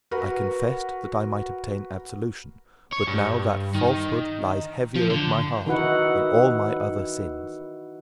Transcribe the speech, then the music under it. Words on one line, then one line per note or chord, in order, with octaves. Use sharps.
I confessed, that I might obtain absolution; but now that falsehood lies heavier at my heart than all my other sins.
F#4 A#4 B4
C#5
G2
D#3
F3
D3
D#3 D#4 E4 F#4 B4 F#5